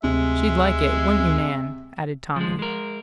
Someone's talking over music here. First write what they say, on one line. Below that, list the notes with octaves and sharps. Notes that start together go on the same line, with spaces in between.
"She'd like it; wouldn't you, Nan?" added Tommy.
D2 C3 G#3 E5
F3 G#3
G#3 A#4